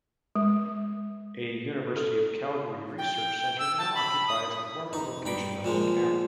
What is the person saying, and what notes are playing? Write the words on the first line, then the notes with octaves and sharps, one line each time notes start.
A University of Calgary research centre now occupies the former location of the camp.
G#3
A4
G5
E6
A5
B5
D#6
D#4
G2 B5 D6
A#2 F3 G#3